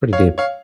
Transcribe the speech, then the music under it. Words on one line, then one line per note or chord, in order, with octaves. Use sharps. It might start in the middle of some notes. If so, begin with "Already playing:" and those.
Pretty deep.
C#5 F5
C#5 F5